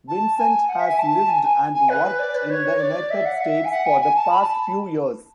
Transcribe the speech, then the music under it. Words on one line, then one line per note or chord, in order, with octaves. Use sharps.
Vincent has lived and worked in the United States for the past few years.
A5
G#5
F#5
E5
G#5
A5
G#5
G#5
G#5
B4
D5
B4
C#5
D5
E5
F#5
E5
G#5
F#5
G#5
G#5
A5
B5
A5